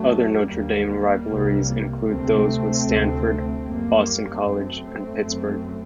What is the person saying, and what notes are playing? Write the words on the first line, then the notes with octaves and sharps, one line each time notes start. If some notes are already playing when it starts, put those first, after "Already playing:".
Other Notre Dame rivalries include those with Stanford, Boston College, and Pittsburgh.
Already playing: F#2 F#3 A3
D#2 G3 A#3
C2 C3
D2 C3 A3 C4
D2 C3
F#2 G3 A#3
F#2 A3 C4
F#2